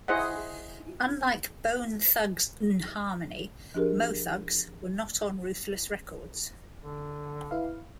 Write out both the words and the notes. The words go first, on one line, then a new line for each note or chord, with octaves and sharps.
Unlike Bone Thugs-n-Harmony, Mo Thugs were not on Ruthless Records.
E4 G#4 C5 D#5 F#5
F3 D4 G4 G#4 A#4
D3
E4 B4 F5